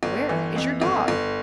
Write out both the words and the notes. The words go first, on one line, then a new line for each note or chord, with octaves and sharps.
"Where is your dog?"
G1
E3
F2
G1
G1